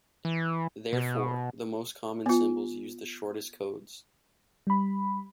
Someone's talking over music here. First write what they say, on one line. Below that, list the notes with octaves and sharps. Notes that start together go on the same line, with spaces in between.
Therefore, the most common symbols use the shortest codes.
E3
B2
B3 F4
G3 B5